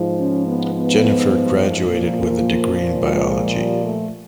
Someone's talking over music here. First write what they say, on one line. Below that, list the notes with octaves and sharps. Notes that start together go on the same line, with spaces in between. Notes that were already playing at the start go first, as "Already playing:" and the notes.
Jennifer graduated with a degree in biology.
Already playing: G#2 F3
C#4
B3
B3
A#2 F3 A#3
G#3
G3
A3